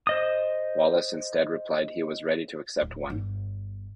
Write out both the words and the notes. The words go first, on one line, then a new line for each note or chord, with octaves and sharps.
Wallis instead replied he was ready to accept one.
C5 D#5 D#6
D1
G1